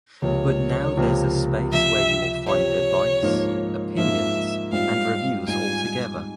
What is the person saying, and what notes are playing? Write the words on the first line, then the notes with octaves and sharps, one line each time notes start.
But now there’s a space where you will find advice, opinions, and reviews all together.
C#2 C3 F3 A#3 C#5
C#2 C3 F3 A#3
C3 F3 C4 G4 E5
C3 F3 C4 G4 C#5
G#2 F3 A#3
G#2 F3 A#3 E5
G#2 G3 C4 F4 F5
G#2 G3 C4 F4 G#5